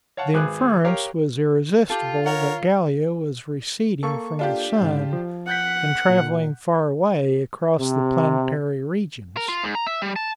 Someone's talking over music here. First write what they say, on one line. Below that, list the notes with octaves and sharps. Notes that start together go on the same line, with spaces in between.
The inference was irresistible that Gallia was receding from the sun, and traveling far away across the planetary regions.
C#5 F5 F#5 A5
G#1 G#4 B4 F#6
G4 A#4 C#5 F5
F4 G4 A4
A#4 C#5 F#5
A#3 A4 C#6
D4 F4 G4
G#2 C#3
F3
F#5 F#6 G6 B6
A#2
C3
A#4
F4
G#2
A#5
E5
G3
A5